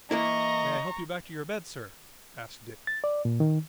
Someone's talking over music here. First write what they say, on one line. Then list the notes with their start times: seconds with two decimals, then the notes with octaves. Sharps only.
"May I help you back to your bed, sir?" asked Dick.
0.11 E3 A#3 E4 D#5 A#5 C#6
2.87 A6
3.04 D5
3.25 A#2
3.40 D#3